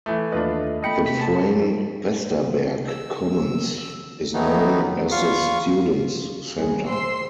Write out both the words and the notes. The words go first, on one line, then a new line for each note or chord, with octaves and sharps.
The Frame-Westerberg Commons is known as the students center.
E3 A3
D#2 A3 D4 F4 B4 D#5
A3 D#5 G5 B5 C#7
C3 B6
A5
E6
D#3 E3 F#3 A3 B3 D#4
E2 F4 F5 C#6
C2 G#4
C5 C6 E6 C7